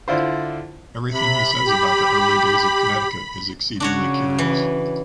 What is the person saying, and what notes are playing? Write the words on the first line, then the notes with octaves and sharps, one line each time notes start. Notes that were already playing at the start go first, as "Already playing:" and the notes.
Everything he says about the early days of Connecticut is exceedingly curious.
D3 D4 E4 F4 C5
C3 B5
G4
C#3 D4 F#4 C#5
E3